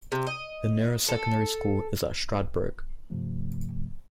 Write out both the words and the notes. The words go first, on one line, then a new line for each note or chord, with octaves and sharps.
The nearest secondary school is at Stradbroke.
C3
D#5
A4
G2 C3 F3 A3